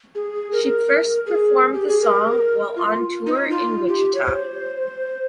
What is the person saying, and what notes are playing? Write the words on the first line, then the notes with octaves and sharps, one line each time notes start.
She first performed the song while on tour in Wichita.
G#4
A#4
G#4
G4
G#4
A#4
F4
D#4
F4
G4
C#5
C5